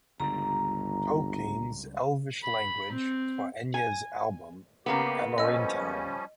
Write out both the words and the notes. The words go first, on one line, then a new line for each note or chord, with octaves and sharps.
Tolkien's Elvish language, for Enya's album "Amarantine".
G1 C#2 D3 G3 A#5
B5
C4
G#5
C#3 A#3 B3 G4
F3 G3 C#4 D#5 E6